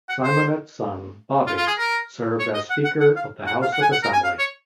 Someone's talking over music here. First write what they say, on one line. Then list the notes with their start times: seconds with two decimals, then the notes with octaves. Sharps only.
Symonette's son Bobby served as Speaker of the House of Assembly.
0.09 F#5
0.24 C5
1.47 F4
1.57 F4
1.67 G#4
1.78 A#4
2.40 C#5
2.54 D#5
2.70 F#5
2.84 F#5
3.00 F#5
3.16 F5
3.47 F#5
3.62 F5
3.73 F#5
3.82 G#5
3.92 F#5
4.03 A#4
4.13 G#5
4.24 F5
4.39 C#5